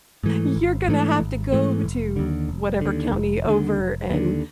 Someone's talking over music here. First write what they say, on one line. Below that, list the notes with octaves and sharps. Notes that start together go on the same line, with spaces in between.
You're gonna have to go to whatever county over and"
G#2 E3 A3
G#1
G#2 E3 A3
G#1
G#2 E3 A3
F1
D#2 D3
F1
D#2 D3
F1
D#2 D3
F1
D#2 D3